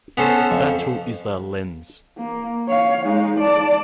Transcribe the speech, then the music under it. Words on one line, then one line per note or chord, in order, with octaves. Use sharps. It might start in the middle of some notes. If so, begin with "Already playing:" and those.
That tool is the "Lens".
B3 C#4 A4 C5
F2
A#3
C#5 F5
G#3 D#4
D5 A5